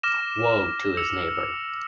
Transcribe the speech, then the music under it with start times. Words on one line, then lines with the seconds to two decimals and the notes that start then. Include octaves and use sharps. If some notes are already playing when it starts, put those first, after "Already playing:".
Woe to his neighbor!
0.03 D6 F6 A#6 E7
0.97 E6 C#7 F7